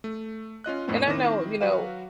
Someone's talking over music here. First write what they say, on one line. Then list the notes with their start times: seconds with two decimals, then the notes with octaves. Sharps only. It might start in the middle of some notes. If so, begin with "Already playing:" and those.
And I know, you know
0.04 A3
0.64 C#4 F4 D#5 F#6
0.88 F2 A2 A3 B3 C4 D4
1.08 D#3 C4 E4 D6 A#6 E7
1.61 F#3 F#4 B4 F5